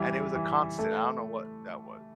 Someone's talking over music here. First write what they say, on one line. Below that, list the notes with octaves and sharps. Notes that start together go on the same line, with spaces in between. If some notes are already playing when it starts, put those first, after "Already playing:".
And it was a constant, I don't know what that was,
Already playing: E3 G3
E3
A3